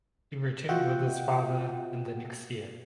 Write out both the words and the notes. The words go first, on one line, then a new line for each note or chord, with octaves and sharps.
He returned with his father in the next year.
F4 F#4 D#5 E5 F#5 G5